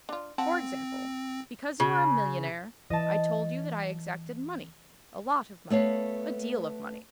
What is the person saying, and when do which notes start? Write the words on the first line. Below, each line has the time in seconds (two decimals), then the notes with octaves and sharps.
For example, because you are a millionnaire, I told you that I exacted money, a lot of money, a deal of money.
0.09 D4 F4
0.38 F3 C4 F#5 A5
1.80 C#3
2.90 E3 D#5 A5
5.70 A3 B3 C#5 F5